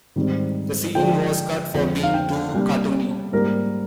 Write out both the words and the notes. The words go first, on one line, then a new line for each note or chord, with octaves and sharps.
The scene was cut for being too cartoony.
G#2 D#3 G3 C4
D3 F3 G#3 D4 G5
F2 D3 F3 G#3
F5
G5
C3 G3 A#3 D4
G#2 G3 A#3 A#4